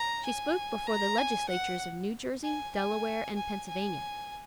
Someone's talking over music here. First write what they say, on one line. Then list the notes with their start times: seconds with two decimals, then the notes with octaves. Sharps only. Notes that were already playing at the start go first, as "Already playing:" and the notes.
She spoke before the legislatures of New Jersey, Delaware, and Pennsylvania.
Already playing: A#5
0.25 G#5
0.87 A#5
1.18 G#5
1.49 F#5
2.43 G#5
2.74 G#5
3.36 G#5
3.68 G#5